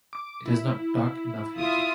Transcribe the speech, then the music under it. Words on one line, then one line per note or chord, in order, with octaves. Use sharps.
It is not dark enough yet.
D6
E4
F4 E5 D#6